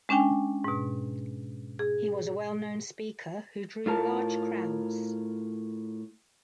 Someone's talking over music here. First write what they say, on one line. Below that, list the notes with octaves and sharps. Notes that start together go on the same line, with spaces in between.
He was a well-known speaker who drew large crowds.
G#3 C#4 D4 G5 G#5
G#2 B2
G#4
A2 F4 A#4 A5